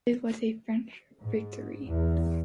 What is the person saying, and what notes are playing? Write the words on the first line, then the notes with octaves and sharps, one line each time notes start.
It was a French victory.
G#2
E2